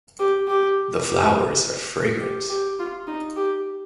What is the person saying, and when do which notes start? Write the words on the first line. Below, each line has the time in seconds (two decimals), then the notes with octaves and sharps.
The flowers are fragrant.
0.19 G4
0.48 G4
1.05 G4
2.21 G4
2.50 G4
2.79 F4
3.07 D#4
3.36 G4